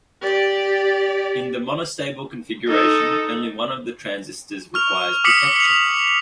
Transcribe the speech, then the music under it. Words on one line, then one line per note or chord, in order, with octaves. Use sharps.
In the monostable configuration, only one of the transistors requires protection.
G4 D5
D#4 A4
C#6 F6 F7
D6 D#6 B6 C#7 F#7
C#7 F7